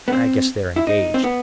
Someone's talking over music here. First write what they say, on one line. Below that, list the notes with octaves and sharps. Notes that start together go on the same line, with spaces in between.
I guess they're engaged.
B3
C4
E4
D#4
C4
B3